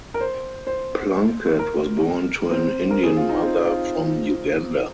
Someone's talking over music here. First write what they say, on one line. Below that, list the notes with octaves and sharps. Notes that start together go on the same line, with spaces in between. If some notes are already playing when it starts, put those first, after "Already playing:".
Plunkett was born to an Indian mother from Uganda.
A#4
C5
C5
A#4
C4
A#4
G#4
F4
D#4
C4
F4